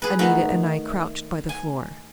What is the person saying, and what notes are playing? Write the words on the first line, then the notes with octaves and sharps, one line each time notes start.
Anita and I crouched by the floor.
G#4 B4
D#3 A3 B3
G#5